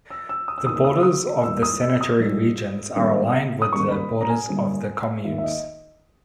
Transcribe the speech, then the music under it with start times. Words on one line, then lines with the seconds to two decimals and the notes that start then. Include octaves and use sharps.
The borders of the sanitary regions are aligned with the borders of the communes.
0.10 E6
0.29 E6
0.48 D#6
0.58 E6
0.67 E2 D#3 A#3 D#6
0.76 E6
0.84 D#6
0.94 E6
1.03 D#6
1.43 E1 E2 D#3 G3 A#3 E6
1.63 D#6
1.82 E6
2.01 D#6
2.20 A#1 G#2 G3
2.96 G#1 G2 G3 A#3
3.62 D#6
3.72 D#2 C#3 G3 A#3 C#6
3.91 B5
4.21 A#5
4.30 G#5
4.48 G1 G2 G3 A#3
5.25 D#2 D#3 A#3 E5
5.38 E5
5.44 D#5